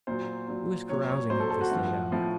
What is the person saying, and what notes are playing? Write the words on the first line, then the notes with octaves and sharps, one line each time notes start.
Who is carousing at this late hour?'
A#2 F#3 C5
A#2 F#3
A#2 F#3 C#5
C#5
A#2 F#3 C5
A4
A4
F#4
A2 F3
A2 F3